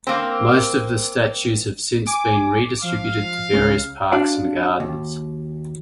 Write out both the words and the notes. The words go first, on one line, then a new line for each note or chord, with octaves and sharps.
Most of the statues have since been redistributed to various parks and gardens.
A#3 C4
G#5 D6
F3 F5
C#2 C#3
D4 F#4 D5 F5
D#2